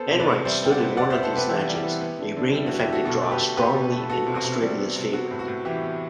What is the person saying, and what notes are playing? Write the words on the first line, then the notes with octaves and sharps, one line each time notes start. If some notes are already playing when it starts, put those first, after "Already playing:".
Enright stood in one of these matches, a rain-affected draw strongly in Australia's favour.
Already playing: B3 A4 C5
C3
B4 D5
C3
G3 C5 E5
B3 G5
D5 F#5
C3
G3 D5 F#5
B3 C5 E5
A4 C5
C3 G4 B4
E3 E4 G4
G3
E4 G4
B3
B3
D3
D3
G3 E4
B3 F#4
E4 G4
D3 F#4 A4
B2 F#4 A4
A3
G4 B4
B2
A3 G4 B4
B2
A3
B3 F#4 A4
C3
F#4
C3
G3
B3
C3
B3 F#4
A2
F#4
A2
E3 E4 G4
B3